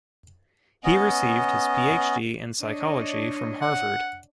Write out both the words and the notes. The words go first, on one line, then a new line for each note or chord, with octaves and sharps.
He received his Ph.D in Psychology from Harvard.
B3 C#4 D#5
D4 C#5 D#5
F#5